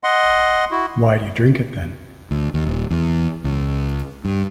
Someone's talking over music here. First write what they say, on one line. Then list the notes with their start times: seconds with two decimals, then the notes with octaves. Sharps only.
Why do you drink it, then?
0.03 D#5 F#5 C6
0.71 E4 F#4
2.31 D2
2.54 D#2
2.67 D#1
2.90 E2
3.44 C#2
4.25 G2